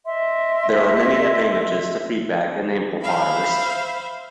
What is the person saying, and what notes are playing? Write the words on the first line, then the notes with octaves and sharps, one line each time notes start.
There are many advantages to feedback in amplifiers.
D#5 E5 C6
C5 E5 F5 B5